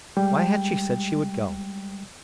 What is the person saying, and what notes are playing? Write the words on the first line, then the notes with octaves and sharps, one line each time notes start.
Why had she said she would go?
G3 G#3 G5